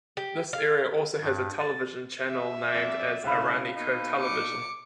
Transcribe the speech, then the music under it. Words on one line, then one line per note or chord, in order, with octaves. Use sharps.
This area also has a Television Channel named as Araniko Television.
G4
F5
G2
A6
E5
F2 D5
A2 C#3 F5 B5
B2 A#3 D#4
D6 C#7